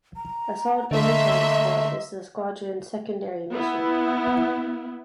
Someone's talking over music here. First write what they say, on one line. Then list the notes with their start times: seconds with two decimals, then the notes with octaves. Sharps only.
Assault air transport is the squadron's secondary mission.
0.16 A#5
0.91 D3 A3 A#3 D#5 E5 C6
3.52 B3 E4